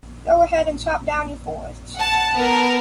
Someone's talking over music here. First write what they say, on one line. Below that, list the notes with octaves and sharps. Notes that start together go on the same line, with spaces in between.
Go ahead and chop down your forests.
F#5 A5
B3 A#4